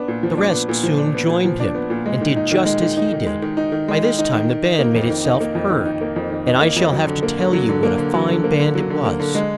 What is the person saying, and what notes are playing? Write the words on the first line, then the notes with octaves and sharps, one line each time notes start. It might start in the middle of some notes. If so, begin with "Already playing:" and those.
The rest soon joined him, and did just as he did. By this time the band made it-self heard, and I shall have to tell you what a fine band it was.
Already playing: B3 D4
A#2
F3
D4
B3
A#2
F3
D4
B3
A#2
F3
D4
B3
A#2
G#3
D#3
D#4
D#3
G#3
D#3
D#4
D#3
G#3
D#3
D#4
D#3
G#3
D#3
D#4
D#3
D#3
D#4
A#3
F2
D#3
D#4
A#3
F2
D#3
D#4
A#3
F2
D#3
D#4
A#3
F2
F#3
D3
A#3
D3
F#3
D3
A#3
D3
F#3
D3
A#3
D3
F#3
D3
A#3
D3
G#3